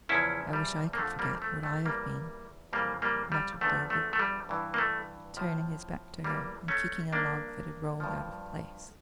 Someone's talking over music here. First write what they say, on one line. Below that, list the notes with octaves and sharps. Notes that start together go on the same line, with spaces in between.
"I wish I could forget what I have been!" muttered David, turning his back to her and kicking a log that had rolled out of place.
E2 C#3 F3 C#4 E4
G3
A#3
F2 D3 F3 A3
G3 A#3
A3
A3
E2 E3 G3 A#3
F2 C#3 E3 G3 A#3
G3 A#3
G3
E2 D3 F3 A3
A3
A3
G3
G2 E3
A#3
A3
A2 F3
E2 E3 G3 A#3
A3 C#4
G2 F3 A#3 D4
G2 F3